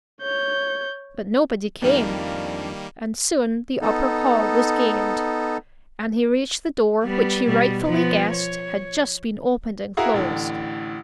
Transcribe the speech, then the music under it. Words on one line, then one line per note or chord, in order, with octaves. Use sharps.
But nobody came, and soon the upper hall was gained, and he reached the door which he rightfully guessed had just been opened and closed.
C#5 G6
F2 D#3 G3 A#3 D4 D#4 F5
B3 D#4 A4
G3 B3
B2 G3 B3
F3 B3
C#5
E4 F#4 G#4 A#4 F5 F#5
A1 A2 D3